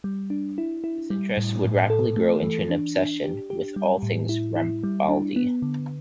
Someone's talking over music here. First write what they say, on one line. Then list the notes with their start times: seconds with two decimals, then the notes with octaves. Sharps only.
This interest would rapidly grow into an obsession with all things Rambaldi.
0.04 G3
0.30 D4
0.58 E4
0.84 E4
1.10 G3
1.37 A2
1.64 A2
1.90 A4
2.16 A3
2.43 E3
2.70 D4
2.97 D4
3.24 G4
3.50 G4
3.76 G3
4.03 A2
4.29 E4
4.56 E4
4.83 G3
5.09 D4
5.36 B3
5.62 D3